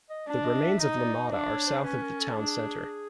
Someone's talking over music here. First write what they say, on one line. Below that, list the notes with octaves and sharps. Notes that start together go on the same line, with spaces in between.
The remains of Limata are south of the town center.
D#5
D4 D5
D#5
E5
D#4 D#5
D5
D#5
D4 D5
C#5
C5
C#4 B4
A#4
A4
D4 G#4